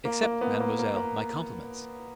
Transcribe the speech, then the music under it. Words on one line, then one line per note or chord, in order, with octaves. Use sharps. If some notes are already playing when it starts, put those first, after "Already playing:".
Accept, mademoiselle, my compliments.
A#3
A#3
B3
A#3
A#3
A#3